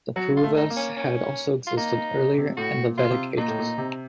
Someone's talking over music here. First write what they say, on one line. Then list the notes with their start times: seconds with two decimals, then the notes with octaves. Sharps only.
The Pauravas had also existed earlier in the Vedic Ages.
0.16 F#3 F#4
0.37 F4
0.43 A3
0.57 D#4
0.70 A#3
0.77 C#4
0.97 C#4
1.67 F4
1.77 A#3 D#4
1.97 A#3
2.18 C#3
2.38 C3
2.57 A2 F#4
2.84 A#2
2.98 F4
3.11 C3
3.37 A#2 D#4
3.48 A2
3.59 A#2
3.78 C3